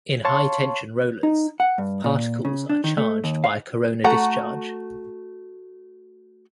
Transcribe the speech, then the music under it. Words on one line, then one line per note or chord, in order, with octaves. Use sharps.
In high tension rollers, particles are charged by a corona discharge.
C#5 F5 A5 C6 C#6
D#4
F#5
G2
A#2
C#3
D4
D#3
A3
D#2
F5
A3 F#4 F#5 A#5